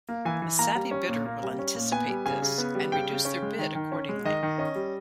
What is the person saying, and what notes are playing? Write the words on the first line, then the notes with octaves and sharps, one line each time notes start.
A savvy bidder will anticipate this, and reduce their bid accordingly.
A#3
E3 G#5
E3
A#3 A#5
G3
C#4
A#2
A#3
G3
C#4
A#2
B3 G#5
G3
C#3 G#5
C#3
B3
G3
C#3 G5
C#3
C#4
G#3
D#3
D#3
C#4
G#3
D#3 D#5
D#3
C#4 D#5
G3